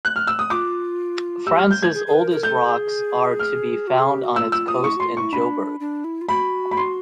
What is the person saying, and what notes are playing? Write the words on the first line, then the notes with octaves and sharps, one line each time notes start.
France's oldest rocks are to be found on its coast in Jobourg.
F#6
F6
E6
D#6
F4 D6
G4 E6
F6
G6
G#6
G#4
G#4
B4
A#4
A#4
A4 G6
G#4
F6
F#4
G#4
G4
F#4
F4 E6
E6
D#6
E4 C#6
F#4 C6
F4
E4 C#6
D4 B5
D4
E4
F4
F#4 B5
B5
C6